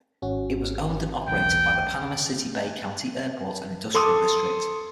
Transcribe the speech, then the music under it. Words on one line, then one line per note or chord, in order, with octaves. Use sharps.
It was owned and operated by the Panama City-Bay County Airport and Industrial District.
G#1 C#4 F#4
B1 E2 G5
A4 C6 D6 D#6